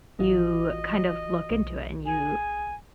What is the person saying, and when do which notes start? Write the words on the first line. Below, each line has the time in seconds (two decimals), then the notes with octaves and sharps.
you kind of look into it, and you
0.19 A1 E3 F4 F#4 D#5
1.50 B1
2.06 G#4 G#5